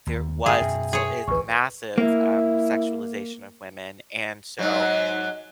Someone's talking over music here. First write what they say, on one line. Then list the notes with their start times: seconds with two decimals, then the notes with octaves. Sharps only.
there was and still is massive, um, sexualization of women, and so
0.07 D#2
0.46 G2 D3 G#4 E5 G5
0.61 F#2 B2
0.93 G#4 C#5
1.28 A1 D2 B4 C#6
1.98 A#3 E4
4.59 G#2 F#3